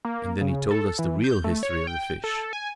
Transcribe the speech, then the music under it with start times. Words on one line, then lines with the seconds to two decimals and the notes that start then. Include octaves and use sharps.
And then he told us the real history of the fish.
0.05 A#3
0.41 C#3
0.71 A4
0.99 E3
1.24 G6
1.44 A3
1.63 C#5
1.87 G5
2.24 A4
2.53 G#5